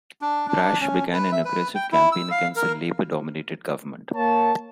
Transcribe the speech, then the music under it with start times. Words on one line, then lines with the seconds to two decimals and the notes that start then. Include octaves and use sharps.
Brash began an aggressive campaign against the Labour-dominated government.
0.22 D4
0.48 D4
0.80 C#4
1.13 B4
1.32 E5
1.45 B4
1.75 G5
1.92 E4
2.12 E6
2.31 F5
2.56 A#4
4.13 A#3 C#5 A5